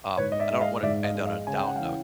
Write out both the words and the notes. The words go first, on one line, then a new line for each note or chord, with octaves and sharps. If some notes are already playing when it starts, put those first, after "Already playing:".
Um, I don't wanna end on a down note,
G#2 B4 C#5
D#5
D5 E5
G#3 E5
D#5 F5
G#2 D5 E5
D#5 F5
G#3
D#5 F5
C#3 G#5
G5
F#5
E3 F5 G5